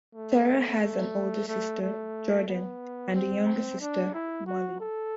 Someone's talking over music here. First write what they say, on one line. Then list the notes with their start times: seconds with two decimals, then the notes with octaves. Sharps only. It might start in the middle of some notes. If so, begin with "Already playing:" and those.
Cera has an older sister, Jordan, and a younger sister, Molly.
0.15 A3
0.81 A3
1.48 A3
1.82 A3
2.48 B3
3.15 C4
3.80 D4
4.14 E4
4.46 F#4
4.80 A4